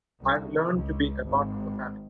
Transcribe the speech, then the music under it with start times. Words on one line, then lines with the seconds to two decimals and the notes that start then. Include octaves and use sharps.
I've learnt to be a part of the family.
0.21 C2
0.69 C#2
1.24 G#1